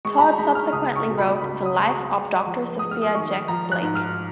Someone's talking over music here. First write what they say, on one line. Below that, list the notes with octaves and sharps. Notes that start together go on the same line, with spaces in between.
Todd subsequently wrote "The Life of Doctor Sophia Jex-Blake".
G#3 C#6
B5
A#5
G#3 B5
F6
C#2 D#6
C#6
B2
B5
C#2 B5
D#6
G#3
C#6
G#3
F3
G#3 D#6
F6
D#6
D#3 C#6
F3 A#5
F#6
G#2
F6